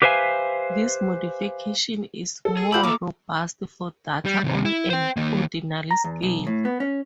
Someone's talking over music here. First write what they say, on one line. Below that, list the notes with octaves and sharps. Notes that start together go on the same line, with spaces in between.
This modification is more robust for data on an ordinal scale.
G4 B4 C5 E5 F5 G#5
A4
G#4
F4 G4 C5 F#5 B5 E6
A#3 A4 A#5 D6
G3
D#2 C3
E4
C5 G5
D#3 A#3
A#5
E2
B1
A2
B3
C#4